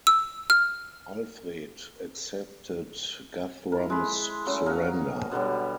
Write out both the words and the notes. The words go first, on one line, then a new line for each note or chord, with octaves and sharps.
Alfred accepted Guthrum's surrender.
E6
F6
E4 A#4
G#3 B5
F#3 A3 C#4
F#4 G#4 A#4 F5
B2 D3 F#3 G3